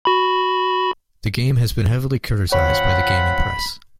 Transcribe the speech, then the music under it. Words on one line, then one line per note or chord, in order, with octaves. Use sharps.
The game has been heavily criticized by the gaming press.
F#4 B5
D2 C4 F4 C#5 F#5 B5